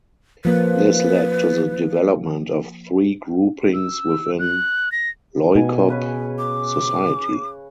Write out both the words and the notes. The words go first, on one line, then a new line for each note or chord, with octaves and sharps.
This led to the development of three groupings within Loikop society.
F3 A#3 B4
E6
F#6
A#6
B2 G#5
C#3 B4 C#5
D6